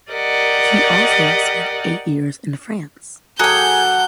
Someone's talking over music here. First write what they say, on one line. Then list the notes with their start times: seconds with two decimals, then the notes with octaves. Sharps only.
He also spent eight years in France.
0.11 G4 A#4 D5 D#5 F#5
3.39 F#3 G#4 A4 F#5 G5 D6 G6